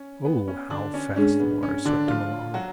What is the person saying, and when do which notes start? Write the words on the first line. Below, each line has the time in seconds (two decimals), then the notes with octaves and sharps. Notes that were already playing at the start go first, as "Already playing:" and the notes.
Oh, how fast the water swept him along!
Already playing: C#4
0.25 B3
0.48 C#4
0.70 D3 D4
0.94 C#4
1.16 G#2 G#3 C#4 D4 G#4
1.40 B3
1.63 C#4
1.85 D3 D4
2.08 F3 F4
2.54 F#3 F#4